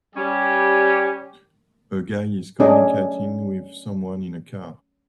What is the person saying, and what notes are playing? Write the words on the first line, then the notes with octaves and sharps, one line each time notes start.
A guy is communicating with someone in a car.
G3 C#4 G4
A3 C#4 D4 G#4 D5 D#5